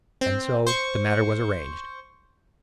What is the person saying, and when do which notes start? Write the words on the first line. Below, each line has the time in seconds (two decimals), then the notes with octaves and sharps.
And so the matter was arranged.
0.21 C4
0.67 C5 C#6